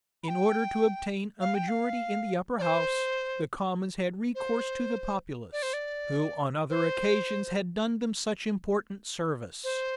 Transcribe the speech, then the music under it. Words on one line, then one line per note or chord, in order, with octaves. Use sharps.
In order to obtain a majority in the upper house, the commons had recourse to the populace, who on other occasions had done them such important service.
B5
G5
F5
G5
F5
D5
C5
C5
D5
C5
D5
C5
C5